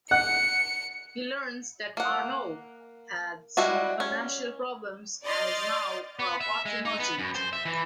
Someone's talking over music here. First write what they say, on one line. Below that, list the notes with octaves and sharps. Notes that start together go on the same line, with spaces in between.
He learns that Arnoux has financial problems and is now a pottery merchant.
F#5 C#7
A#3 F#5
G3 G#3 E4 F#4
C#4
D5 D#5 C6 F6 G6 A6
B3
E5
G#3
D#4
B3
F#2
C5
E5
E3